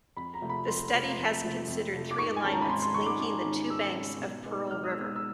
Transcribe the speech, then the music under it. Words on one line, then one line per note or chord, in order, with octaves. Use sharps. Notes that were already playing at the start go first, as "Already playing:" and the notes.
The study has considered three alignments linking the two banks of Pearl River.
F2 B5
A#5
C3 F3 A3
B5
F2 C6
C3 F3 A3
F2
C3 F3 A3
F2
C3 F3 A3
D6
G#2 C#6
G#5
D#3 G#3 C#4 A5
A#5
B5
G#2 C6
C6
D#3 G#3 C#4 C#6
D6
G#2 D6
D#3 G#3 C#4
G#2 E6
D#3 G#3 C#4
B2
G#3 B3 D#4
B2 F6
D#6
E6
G#3 B3 D#4
E6
E6